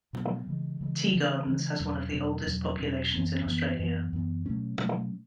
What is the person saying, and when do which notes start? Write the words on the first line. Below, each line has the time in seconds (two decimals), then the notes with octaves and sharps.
Tea Gardens has one of the oldest populations in Australia.
0.13 B2 F#3 B3
0.47 C#3 E3 G#3
0.81 C#3 E3 G#3
1.13 C#3 E3 G#3
1.47 C#3 E3 G#3
1.80 E2 B2 F#3 C#4
2.13 E2 B2 F#3 C#4
2.46 E2 B2 F#3 C#4
2.79 E2 B2 F#3 C#4
3.13 F#2 E3 B3
3.46 F#2 E3 B3
3.79 F#2 E3 B3
4.13 F#2 E3 B3
4.46 B2 F#3 A3 C#4
4.79 B2 F#3 A3 C#4